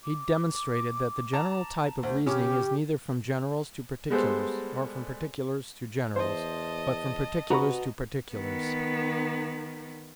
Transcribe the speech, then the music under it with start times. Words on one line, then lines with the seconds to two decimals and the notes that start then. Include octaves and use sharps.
He demonstrated that the general type of reasoning is neither from generals to particulars, nor from particulars to generals, but from particulars to particulars.
0.04 D6
1.33 A5 A#5
2.03 D2 C5
2.26 C#3 C#4 G4 D6
4.10 G3 G#3 B3 A4 C5
6.16 E2 C5 D#5 A5
7.50 C3 F#4 B4 F#5 A#5 B5 C#6
8.34 D#3 B3